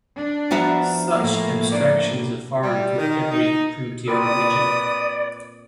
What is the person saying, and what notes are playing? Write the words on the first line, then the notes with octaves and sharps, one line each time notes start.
Such abstractions are foreign to every primitive religion.
D4
F3 B3 E4 F#4 F#5 A#5
A2 A3 A#3
D4 D5
G3
D#3
D#4
A#2 C4 A#4 B4 D5 D#6